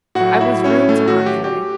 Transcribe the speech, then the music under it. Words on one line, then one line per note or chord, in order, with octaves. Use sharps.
"I was rude to Andrey!"
A2 F#3 F#4 F#5
E4 E5
C#4 C#5
A3 A4
F#4
G4
G4